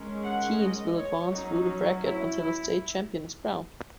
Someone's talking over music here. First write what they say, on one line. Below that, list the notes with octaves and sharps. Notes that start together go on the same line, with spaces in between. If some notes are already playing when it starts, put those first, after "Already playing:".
Teams will advance through the bracket until a state champion is crowned.
Already playing: D#3 G#3 C#4
F#5
D#5
C#5
F#3 C#4 D#4
E4